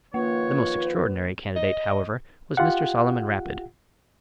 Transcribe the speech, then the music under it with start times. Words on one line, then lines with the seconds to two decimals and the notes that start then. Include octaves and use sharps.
The most extraordinary candidate, however, was Mr. Solomon Rapid.
0.14 D#3 F3 A#3 F4 B4 C#5
1.56 D#5
2.57 F4 G4 F5 F#5